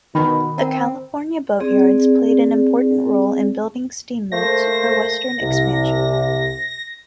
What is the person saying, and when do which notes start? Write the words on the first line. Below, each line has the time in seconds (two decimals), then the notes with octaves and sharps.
The California Boatyards played an important role in building steamboats for western expansion.
0.15 B2 D#3 B5
0.58 C4 A#4 F#5 A#5
1.60 C4 G#4 D5
4.32 A3 A#3 C5 A#6
5.41 C2 C3